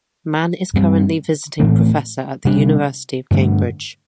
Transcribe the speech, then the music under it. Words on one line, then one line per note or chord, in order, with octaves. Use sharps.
Mann is currently visiting Professor at the University of Cambridge.
G2 G3 C4
A2 E3 A3 C4
C3 G3 D4
G2 D3 A3